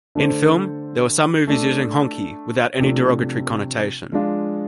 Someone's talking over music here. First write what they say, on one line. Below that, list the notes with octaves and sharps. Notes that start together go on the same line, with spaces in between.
In film, there were some movies using "honky" without any derogatory connotation.
D3 A3 D4 A4 C5
A3 D4 A4
C3 F3 A3 D4
F3 G#3 D4 F4